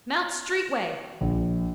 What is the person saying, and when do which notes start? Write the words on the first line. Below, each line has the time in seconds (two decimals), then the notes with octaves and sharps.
Mount street way.
1.21 A#1